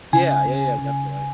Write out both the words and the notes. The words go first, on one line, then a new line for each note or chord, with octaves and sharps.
Yeah, yeah, yeah, definitely.
C#3 G#5
C#3
C#3